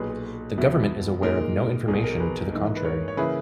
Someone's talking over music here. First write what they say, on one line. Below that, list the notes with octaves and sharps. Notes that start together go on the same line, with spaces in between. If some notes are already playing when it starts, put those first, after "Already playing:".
The government is aware of no information to the contrary.
Already playing: B1 A#2 F#3 G#4 B4
E2 B2 F#3 B3 E4
A#2 G#3 D#4 A#4
B1 B2 F#3 G#4
A#4
G#4 B4
G#2 E3 A#3 D#4
B4
A#4 C#5
C#5
C#3 E3 A#3 E4 G#4 B4